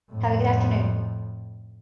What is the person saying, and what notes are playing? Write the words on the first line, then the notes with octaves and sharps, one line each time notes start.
Have a good afternoon.
F2 A2